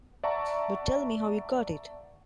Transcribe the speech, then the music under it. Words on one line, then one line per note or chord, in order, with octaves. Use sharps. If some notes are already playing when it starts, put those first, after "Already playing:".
But tell me how you got it.
D5 E5 F#5 A5 A#5 C#6